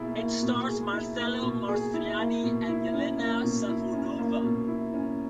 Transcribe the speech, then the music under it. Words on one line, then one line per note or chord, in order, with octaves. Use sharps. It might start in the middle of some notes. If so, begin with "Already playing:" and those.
It stars Marcello Mastroianni and Yelena Safonova.
Already playing: B2 A#3 E4 G#4
A#3
B2
G#4
E4
A#3
B2
G#4
E4
A#3
B2
E4
C#4
A#3
B2
E4
C#4
A#3
B2
E4
C#4